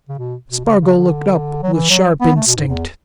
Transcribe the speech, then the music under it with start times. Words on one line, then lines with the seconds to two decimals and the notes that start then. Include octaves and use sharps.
Spargo looked up with sharp instinct.
0.09 C#3
0.18 B2
0.50 B2
0.65 C#3
0.80 C#3
0.96 D3
1.63 F#3
1.74 E3
1.90 F#3
2.21 B3
2.36 A3
2.47 B2
2.57 G#2
2.68 E2